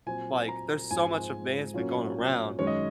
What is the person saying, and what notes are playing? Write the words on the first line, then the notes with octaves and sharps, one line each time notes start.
Like, there's so much advancement going around,
A#2 F#3 C4 G#5
A#5
G#2 F3 G#3 C4 G#5
A#2 F#3 A#3 C#4
F#2 D#3 G#3 C#4 C#5
D#5